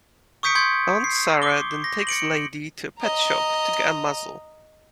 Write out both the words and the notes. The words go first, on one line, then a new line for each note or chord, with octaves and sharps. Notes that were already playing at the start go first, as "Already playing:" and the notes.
Aunt Sarah then takes Lady to a pet shop to get a muzzle.
C#6 D#6 G6 B6 C#7 D7
C6 G6 G#6
C7
D6 G7
A#6
C#7 D7 F#7
D#5 A#5